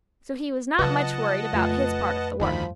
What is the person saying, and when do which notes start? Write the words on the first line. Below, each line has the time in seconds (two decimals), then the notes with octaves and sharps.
So he was not much worried about his part of the work.
0.79 C#3 F#3 F4 B4 D#5 F#5 A5
1.53 F2 A3 F4 B4
2.40 D2 G2 D#3 F3 D#4 B5